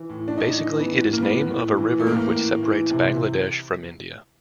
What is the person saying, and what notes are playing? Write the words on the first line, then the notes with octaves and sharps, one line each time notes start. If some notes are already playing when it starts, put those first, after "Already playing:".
Basically it is name of a river which separates Bangladesh from India.
Already playing: E3
A2
D4
A2 D#4
E3
B3
A2
A#3
A2 B3
A2
E3
A3
A2 A#3
A2
E3
C3